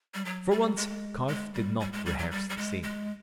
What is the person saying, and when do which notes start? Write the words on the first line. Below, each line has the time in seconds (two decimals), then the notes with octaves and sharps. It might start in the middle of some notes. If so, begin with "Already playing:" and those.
For once Kauf did not rehearse the scene.
0.14 G3
0.25 F#3
0.51 G3
0.77 G#3
1.28 G#3
1.54 G3
1.80 G3
1.93 G#3
2.06 G3
2.18 F#3
2.31 G3
2.49 G3
2.57 G#3
2.83 G#3